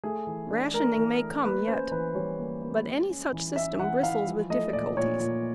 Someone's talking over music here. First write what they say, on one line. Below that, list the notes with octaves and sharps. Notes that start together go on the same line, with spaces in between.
Rationing may come yet, but any such system bristles with difficulties.
A3 G#4
E3
D4
A3 A#4
E3
A3
A#3 B4
C#4 C5
E3 B4
G3 C#5
A#3
A#3
G#3
C#4
E3
C#4 E5
E3 F#5
E3 F5
F3
A3 D#5
A#2 D5
A#2 C#5
A#2